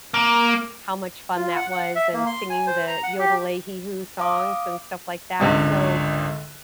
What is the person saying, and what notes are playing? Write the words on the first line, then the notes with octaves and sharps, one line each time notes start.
how much fun that was, and singing the, yodel-ay-hee-hoo songs, and stuff like that, so,
A#3
F4
F#5
F#5
E5
A#3
C6
G#5
C5
A#5
F#5
G4
F5 D6 D#6
G#1 C#2 D3